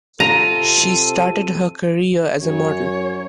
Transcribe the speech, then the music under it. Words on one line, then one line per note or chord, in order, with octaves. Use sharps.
She started her career as a model.
C3 F4 A4 A#5 D#7
F#2 C#5